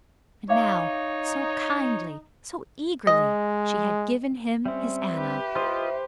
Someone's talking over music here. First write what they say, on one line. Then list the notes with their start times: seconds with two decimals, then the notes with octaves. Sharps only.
And now, so kindly, so eagerly!--she had given him his Anna.
0.49 D#4 C#5 E5 F5 D6
3.07 G#3 D#5
4.66 G3 C4 C#4 E5
5.12 G4 B4
5.55 F4 C5 D#5